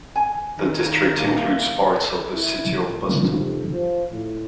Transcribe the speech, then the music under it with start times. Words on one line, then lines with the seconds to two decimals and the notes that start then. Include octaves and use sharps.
The district includes parts of the city of Boston.
0.15 G#5
0.57 D#3
1.16 A#2 A#3 E4 F4
2.33 E4
2.86 A#2
3.31 F1
3.72 F3
4.10 A2